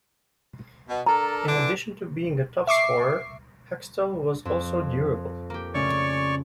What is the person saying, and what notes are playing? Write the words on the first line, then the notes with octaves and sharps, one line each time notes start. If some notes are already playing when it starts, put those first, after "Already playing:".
In addition to being a top scorer, Hextall was also durable.
B2
D4 A4 A#4 A#5
D3 E3 D4
E5 C#6 D6 C7
F2
A#3 G4
C#3 A3 C#4 C#5 D5 C#6